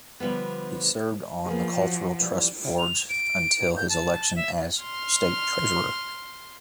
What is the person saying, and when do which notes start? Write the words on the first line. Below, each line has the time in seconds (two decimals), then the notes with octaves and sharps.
He served on the Cultural Trust's board until his election as State Treasurer.
0.20 D3 F3 G3 B3
1.46 F3 A#3 B3 G#4
1.79 F#4
2.21 E3 G3
2.78 F7
3.09 D7
3.77 G6
3.90 A5
4.36 E5
4.81 C6 F6